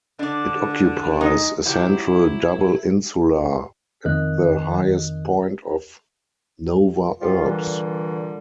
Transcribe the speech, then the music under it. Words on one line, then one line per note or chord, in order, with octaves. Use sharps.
It occupies a central double insula at the highest point of "nova urbs".
D3 D4 D5
G#3 D#4
F#3 E4 G4 F#5
F2 D#3 A#3 D#5 F#6
F3 G3 F4
A#2 D3 E3 G3